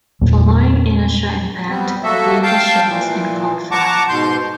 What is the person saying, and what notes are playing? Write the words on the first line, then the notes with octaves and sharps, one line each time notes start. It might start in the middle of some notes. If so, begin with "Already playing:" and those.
Following initial impact the vehicle she was in caught fire.
E2 A#2 F#3 A#3
G3 B3 C4
A#3 F#4 A4 E5
F5 G5 A5 G6
A#2 E3
F#5 A5 A#5 C#6 D6
G#2 B2 C6 G6